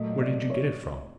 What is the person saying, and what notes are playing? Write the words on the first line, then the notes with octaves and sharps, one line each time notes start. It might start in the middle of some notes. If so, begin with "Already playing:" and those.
Where did you get it from?'
Already playing: A#2 F#3 A3 D#5
D5
C#5